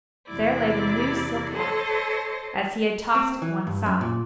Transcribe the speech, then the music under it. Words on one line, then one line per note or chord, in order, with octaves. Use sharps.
There lay the new silk hat, as he had tossed it one side.
E2 C3 E4 D5
A4 C5 C#5 D#5 A5
C4
E3
G2
F#2
A#2